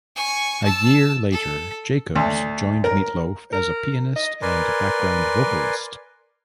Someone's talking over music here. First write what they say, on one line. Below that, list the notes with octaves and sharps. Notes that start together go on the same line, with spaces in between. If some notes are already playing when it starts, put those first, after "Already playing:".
A year later, Jacobs joined Meat Loaf as a pianist and background vocalist.
G#5 C#6
A5 E6
A4
D2
A#4
A#4
D#5
A#4 B4 D5 G#5 C6